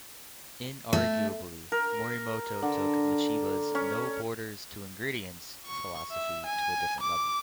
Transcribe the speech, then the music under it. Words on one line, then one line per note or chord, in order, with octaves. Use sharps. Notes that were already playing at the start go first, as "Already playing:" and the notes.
Inarguably, Morimoto took Michiba's "no borders to ingredients" philosophy to a different level.
A3
A#4
D3
C#4
C#6
E5
G#5
D6